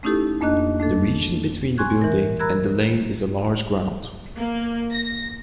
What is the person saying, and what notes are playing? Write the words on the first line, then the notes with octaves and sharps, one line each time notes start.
The region between the building and the lane is a large ground.
A3 C#4 D#4 E4 G4 A4
F2 A#3 D4 D#5 F#6
A3 D4 A4
G#5 C6 C#6 F#6 G#6
E3 A#4
A#4 A#5 B5 E6 F#6 G#6
A#3
A#6